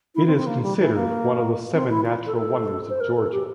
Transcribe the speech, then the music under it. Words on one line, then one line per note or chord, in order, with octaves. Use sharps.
It is considered to be one of the Seven Natural Wonders of Georgia.
E4
C4
C4
A#3
G3
E3
A#3
C4
E4
F4
A4
A4
C5
A#4
A4
G4